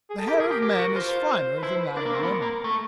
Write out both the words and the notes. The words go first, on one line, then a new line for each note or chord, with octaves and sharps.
The hair of men is finer than that of women.
G#4
A4
G4 A#4
G#4
G4
G4
F#4
F4 C5
B4
E4 C5
B4
D4 A#4
A#3
C4
B3
A#3
A3 A4